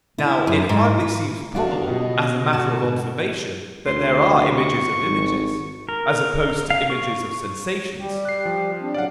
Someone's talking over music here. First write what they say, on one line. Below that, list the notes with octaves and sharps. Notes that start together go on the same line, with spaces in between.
Now, it hardly seems probable, as a matter of observation, that there are images of images, as opposed to images of sensations.
E4
F#2
G#2
B4
C#3 B3 D4 F#4 F5
B2 B3 F4 G4 D#5
D2 G#2 D3 F#4 A5 E7
D2 C6
C#6
G#1
A#4
F5
C#6
G3 G4
F#6 C7
F3
C4 D4
A2 C#3 F#3 D5 F5 F#5